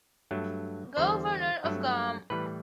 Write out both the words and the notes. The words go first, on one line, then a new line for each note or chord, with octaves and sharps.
Governor of Guam.
G2 F#3 A3
E2 D3 G3 C5
G2 F#3 A3
A2 E3 G3 B4